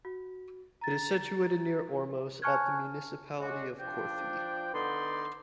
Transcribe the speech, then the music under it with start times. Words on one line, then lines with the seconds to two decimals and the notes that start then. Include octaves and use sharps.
It is situated near Ormos at the Municipality of Korthi.
0.05 F#4
0.81 A#5 A6
2.42 G#5 A5 C#6 F6 F#6 G#6
3.40 G#3 C#4 D4 F#4
3.79 F3 D4 G5
4.74 D3 B3 D#4 D5 C6